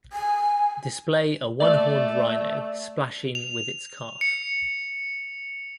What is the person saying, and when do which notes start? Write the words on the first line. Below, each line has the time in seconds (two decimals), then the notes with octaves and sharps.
Display a one-horned rhino splashing with its calf.
0.13 G#5
1.60 A3 D5
3.35 F7
4.21 C#7